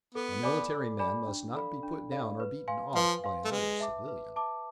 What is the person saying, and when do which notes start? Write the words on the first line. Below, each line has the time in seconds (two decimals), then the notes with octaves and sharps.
A military man must not be put down or beaten off by a mere civilian.
0.15 B3 A4
0.43 D5 G#5 B5 D6
0.72 A4
0.99 D5 G#5 B5 D6
1.27 D4
1.55 A4 D5 F5 B5
1.83 D4
2.11 A4 D5 F5 B5
2.40 B4
2.68 F5 G#5 C6
2.95 F3 B4
3.24 F5 G#5 C6
3.45 A3
3.51 G#3 B4
3.80 E5 A5 D6
4.08 B4
4.36 E5 A5 D6